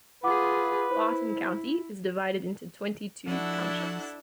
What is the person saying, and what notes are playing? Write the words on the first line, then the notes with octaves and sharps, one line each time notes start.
Barton County is divided into twenty-two townships.
F4 G#4 B4 F#5 D6
E4 C5
F3 D4 E4 F#4 A4 F#5